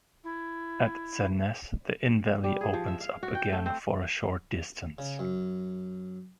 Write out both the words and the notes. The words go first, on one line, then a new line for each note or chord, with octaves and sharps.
At Zernez, the Inn valley opens up again for a short distance.
E4
G3
G#4
F3
E5
F5
F#4
G5
A3
C4
C#3
F#2